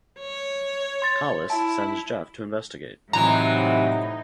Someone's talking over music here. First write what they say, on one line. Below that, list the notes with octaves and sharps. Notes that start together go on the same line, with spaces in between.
Collis sends Jeff to investigate.
C#5
C6 A6
E4 A5
A2 C3 E3 F#3 D#4 A#5